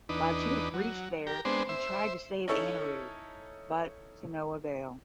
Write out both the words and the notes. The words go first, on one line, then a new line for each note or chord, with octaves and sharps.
Batuk reached there and tried to save Anirudh but to no avail.
E2 D4 D#4 B4
F#3
G4 A#4
G#3 B3 C4 D4 C5
C5 E5
C#4 D#4 E4 A4 C#5